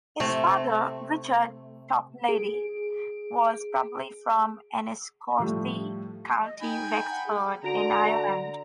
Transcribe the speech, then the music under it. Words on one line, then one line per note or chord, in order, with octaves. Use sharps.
His father, Richard Toplady, was probably from Enniscorthy, County Wexford in Ireland.
C3 A3
G#4 D7
A2 F3 G3 A3
D#5
D#4 G5 G#5 B5
A#5
F#5
G#4
D3 F#4 A#5 D7